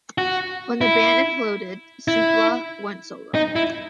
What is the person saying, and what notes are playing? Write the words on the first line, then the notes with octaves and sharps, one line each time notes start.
When the band imploded, Supla went solo.
F#4
E4
E4
D#4
E4